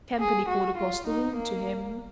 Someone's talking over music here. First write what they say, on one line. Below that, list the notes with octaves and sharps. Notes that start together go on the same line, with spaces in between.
Campany called across the room to him.
G#4
F#4
F4
D#4
A#3